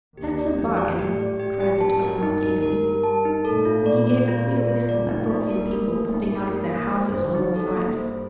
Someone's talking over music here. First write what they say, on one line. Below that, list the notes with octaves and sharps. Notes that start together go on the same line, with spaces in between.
"That's a bargain!" cried the Tottenhot eagerly, and he gave a queer whistle that brought his people popping out of their houses on all sides.
D#2 D#3 G4
D5
F2 F3 G4
D5
A2 A3 G4
D5
A2 A3 G4
G4
A2 A3 A5
A#4
G2 G3 D#4
A#4
A#4
A#4
A5
D#4
A2 A3 A4
F4
A#2 A#3 D5
D5
F4
F4
F4
D5
A2 A3 D#4
A#3
G2 G3 A#4
A#3
A2 A3 A#3
D#4
G2 G3 A#4
A#3
G2 G3 A#3
C5
G2 G3 C5
D#4
A4
A#3
C5